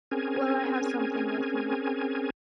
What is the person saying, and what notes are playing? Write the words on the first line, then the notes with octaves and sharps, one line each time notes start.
Well I have something with me.
C4 C#4 G#4 A#4 G#5